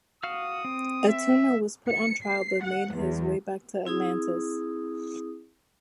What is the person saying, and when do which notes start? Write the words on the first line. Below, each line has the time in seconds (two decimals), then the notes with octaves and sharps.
Attuma was put on trial, but made his way back to Atlantis.
0.23 F#4 F5 D#6 F6
0.65 C4
1.08 E5
1.90 C#7
2.24 C7
2.64 F#5
2.94 E2
3.85 C4 E4 G#4 D#6